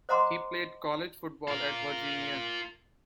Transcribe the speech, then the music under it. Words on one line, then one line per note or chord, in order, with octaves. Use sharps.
He played college football at Virginia.
C5 D#5 F#5 A#5 C6 D6
F4 A#4